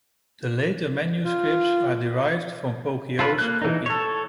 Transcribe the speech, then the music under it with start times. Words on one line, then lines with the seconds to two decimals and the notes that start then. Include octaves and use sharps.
The later manuscripts are derived from Poggio's copy.
1.24 F4
3.19 F4 A4 B4
3.39 A#3 F#6
3.62 E3 D#4
3.86 A4 C#5